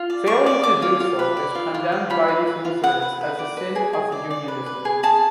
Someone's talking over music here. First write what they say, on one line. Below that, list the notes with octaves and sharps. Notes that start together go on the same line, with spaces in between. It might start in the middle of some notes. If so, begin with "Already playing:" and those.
Failing to do so is condemned by these Lutherans as the sin of unionism.
Already playing: F4
D5
D5 C#6
D5
D5 D6
F4
F4
B4
D5
F4
F4
D5
F4 B5
B4
B4
F4
B4 F#5
B4
B4
D5
B4
G#4
G#4
D5
D5
B4
B4
G#4
G#4 A5